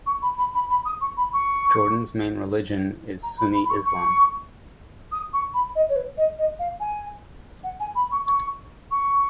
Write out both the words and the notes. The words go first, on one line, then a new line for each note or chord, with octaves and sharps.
Jordan’s main religion is Sunni Islam.
C#6
B5
B5
B5
B5
D#6
C#6
B5
C#6
A#5
B5
B5
B5
C#6
C#6
D#6
C#6
B5
D#5
C#5
B4
D#5
D#5
F5
G#5
F#5
G#5
B5
C#6
C#6
C#6